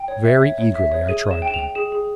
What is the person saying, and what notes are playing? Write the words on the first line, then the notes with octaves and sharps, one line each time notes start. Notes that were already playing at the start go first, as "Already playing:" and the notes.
Very eagerly I tried them.
Already playing: G5
C#5
E5
C#5
C#5
E5
C#5
G#4 D#7
C#5
E7
G5
E7
F7
G5
G#4 E7
G#4